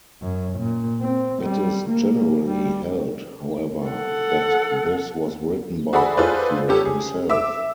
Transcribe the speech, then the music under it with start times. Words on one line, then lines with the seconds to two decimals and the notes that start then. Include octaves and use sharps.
It is generally held, however, that this was written by Upfield himself.
0.22 F#2
0.59 A#2
1.00 C4
1.42 G3
1.90 A#3
2.48 G3
3.86 A4 F#5
5.93 F#4 G#4 A4 D5 F#5 B5
6.17 F4 G#4 A4 B4 C5 D5
6.68 G3 C#4 G4 A4
6.85 G#4
7.30 E5 D6 E6